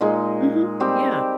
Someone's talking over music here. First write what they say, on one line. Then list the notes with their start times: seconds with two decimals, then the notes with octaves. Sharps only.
Mhm. Yeah.
0.01 A#2 G#3 D#4
0.80 G3 C4 G4